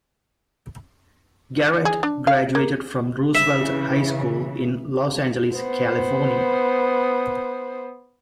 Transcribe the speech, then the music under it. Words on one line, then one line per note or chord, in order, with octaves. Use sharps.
Garrett graduated from Roosevelt High School in Los Angeles, California.
G#4
D4
F5
A#3
C#3 E3 E5
B3 C5